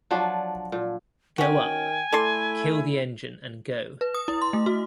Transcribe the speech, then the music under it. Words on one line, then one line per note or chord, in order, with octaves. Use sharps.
Go up... kill the engine and go.
F3 F#3 D4
A#2
D#3 C#4 F#4 G5 G#5
A3 E4 A4 D5 C6
B4
D#6
E4
C6
A3
F#4